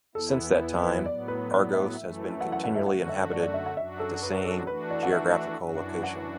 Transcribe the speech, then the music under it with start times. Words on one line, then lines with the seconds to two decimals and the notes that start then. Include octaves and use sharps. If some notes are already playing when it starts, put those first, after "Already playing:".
Since that time, Argos has been continually inhabited at the same geographical location.
0.15 E2 E3 B3 E4 A4
0.83 B4
1.06 A2 F#3 B3 D5
1.28 B4
1.51 D5
1.73 E5
1.96 F#2 E3 A3
2.41 F#5
2.52 F#5
2.64 F#5
2.76 E5
2.87 F#2 D3 A3 F#4 F#5
3.09 E5
3.32 D5
3.43 D5
3.54 E5
3.66 F#5
3.77 F#2 F#3 D4 F#4 E5
4.00 A4
4.22 B4
4.45 A4
4.67 E3 A3 D4 F#4 B4
4.91 D5
5.03 F#5
5.13 E5
5.58 F#2 E3 D4 F#4
6.03 F#5